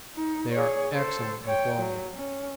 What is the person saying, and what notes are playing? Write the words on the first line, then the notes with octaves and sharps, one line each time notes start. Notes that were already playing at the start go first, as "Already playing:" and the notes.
They are excellent in quality.
D#4
G#4 C#5
A4 C5
C#5 G5
F#3
C#4